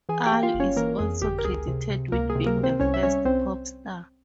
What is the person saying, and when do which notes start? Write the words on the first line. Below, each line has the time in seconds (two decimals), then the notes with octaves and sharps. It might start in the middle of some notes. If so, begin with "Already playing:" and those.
Al is also credited with being the first "pop star".
0.09 E3 G#4 G#5
0.26 G4 G5
0.32 A#3
0.43 F4 F5
0.54 G1
0.60 C#4 C#5
0.76 E3 A#3 A#4
0.99 F2 G#4
1.22 G1 G4
1.39 A#4
1.44 C#2 G#4
1.67 C3
1.90 C3
2.12 C#2 A#3 A#4
2.30 G#4
2.35 C3
2.46 A#3 A#4
2.57 C3
2.63 C4 C5
2.80 C2 C#4 C#5
2.94 E5
3.03 G3 C#4 C#5
3.25 C2 C4 C5